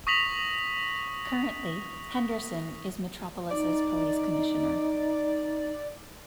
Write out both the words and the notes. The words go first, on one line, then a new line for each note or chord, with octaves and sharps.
Currently, Henderson is Metropolis' police commissioner.
C#6 D#6 A#6 B6 F7 F#7
D#4 D5